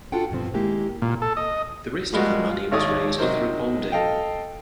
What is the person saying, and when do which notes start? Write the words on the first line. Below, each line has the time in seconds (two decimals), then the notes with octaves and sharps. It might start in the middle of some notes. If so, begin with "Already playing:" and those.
The rest of the money was raised through bonding.
0.12 D4 F4 F#4 A4 F#5 G5
0.30 G2 B2 F3 C4
0.54 D#3 G#3 A#3 E4 G4
1.02 A#2
1.22 A4
1.37 D#5
2.13 F3 G3 G#3 A#3 F#4
2.49 F4
2.72 G#1 D#2 C#5 D5 D#6
3.18 C3 F#3 D#4 A#4 C5
3.92 A4 D#5 F5 G5